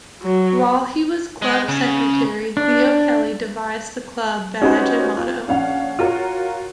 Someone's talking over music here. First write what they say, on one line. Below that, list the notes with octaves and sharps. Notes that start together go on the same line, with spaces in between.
While he was club secretary Theo Kelly devised the club badge and motto.
F#3
G#3
C#3
D4
C#4 D#4 F#4 G4 B4 C5
F4
A#1 C#4 F5 F#5
F4 F#4 A#4 C#5